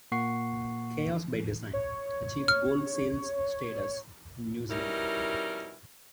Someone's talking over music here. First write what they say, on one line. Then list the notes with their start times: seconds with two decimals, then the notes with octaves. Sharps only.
"Chaos by Design" achieved Gold sales status in New Zealand.
0.12 A#2 A#3 F#5 C#6 C7
1.73 C#5
2.48 F6
4.70 B2 G3 C#4 D#4 E4 A#4